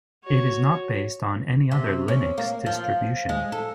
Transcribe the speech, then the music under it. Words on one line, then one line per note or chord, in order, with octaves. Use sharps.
It is not based on any other Linux distribution.
F#4 C#5
C3
C#4
A#3
F3
G#3
A4